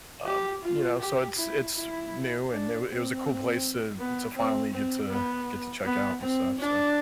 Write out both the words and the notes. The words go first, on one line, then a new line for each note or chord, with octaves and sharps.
um, you know, so it's it's new, and it it was a cool place to to finally get to get to check out and stuff, so
G4
F4
G4
E4
E4
D4
C4
B3
C4
C4
B3
B3
C4
D4